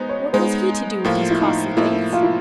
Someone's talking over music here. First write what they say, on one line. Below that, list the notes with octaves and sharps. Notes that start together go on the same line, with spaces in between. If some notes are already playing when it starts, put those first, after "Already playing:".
What was he to do with these costly things?
Already playing: G#3 B3 D#4 C5
C#5
G#3 B3 D#4 C5
A2 F3 A#3 F4
E4
D#4
A2 F3 A#3 E4
F4
E4